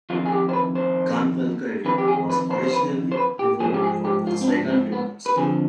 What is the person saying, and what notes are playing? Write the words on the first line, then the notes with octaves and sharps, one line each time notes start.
"GunValkyrie" was originally developed for the Sega Dreamcast.
F2 D#3 F4
G#4
G4
C5
B4
C5
F2 D#3 B4
G4
G#4
B4
C5
C5
B4
C5
B4
G4
G#2 F3 G#4
G4
G#4
G4
F4
C4
D4
C4
B3
B4
F2 D3 F3 G#4